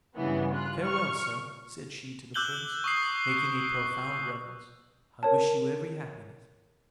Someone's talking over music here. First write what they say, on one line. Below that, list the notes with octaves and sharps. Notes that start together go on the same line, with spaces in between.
"Farewell, sir," said she to the prince, making a profound reverence, "I wish you every happiness."
G2 C#3 E3 B3
F4 F#6
C#6 F6
D6 E6 F#6 G6 F#7 G7
C#6 D#6 C7
A#4 C#5 A5